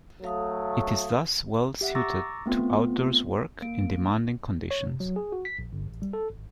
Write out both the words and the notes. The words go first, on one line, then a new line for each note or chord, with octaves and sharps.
It is thus well suited to outdoors work in demanding conditions.
F#3 A3 A4 F5 D#6
G4 E5 F#5
A#5 C#6 D6 E6 A6 A#6
A3 B3 C4 F4
A#3 D7
C#5
C3
F#3
G#4
F#4
B6
A#1
G1
A1
G3
A4
G#1